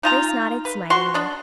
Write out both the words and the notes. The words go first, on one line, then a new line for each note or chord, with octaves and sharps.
Grace nodded smilingly.
D#4 F4 A#5
B4
F#4 C6 C#6
D4 D#5